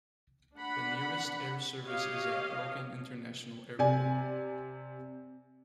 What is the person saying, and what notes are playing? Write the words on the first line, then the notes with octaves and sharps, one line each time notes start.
The nearest air service is at Logan International Airport.
D4 F#5 B5
G4 C#5 D#5 F5
C3 D5 G#5